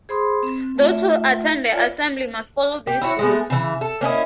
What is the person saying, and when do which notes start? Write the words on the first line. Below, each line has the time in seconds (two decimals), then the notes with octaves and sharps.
Those who attend the assembly must follow these rules.
0.09 G#4 C5 B5 C6 D#6
0.43 C4
0.78 A3 F4 E5
1.71 F4 C#5 D5 E5 F5
2.87 G4
3.01 E4 F#4 C#5
3.19 G#3 A3 B3
3.50 C#3 E3
3.81 A4
4.01 A#3 C#4 E4 D#5